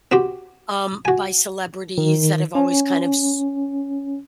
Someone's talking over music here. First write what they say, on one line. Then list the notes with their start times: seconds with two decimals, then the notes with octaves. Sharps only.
um, by celebrities that have always kind of s
0.12 C4 F#4 G4
1.05 F#4 G#5
1.98 D#3
2.55 C#4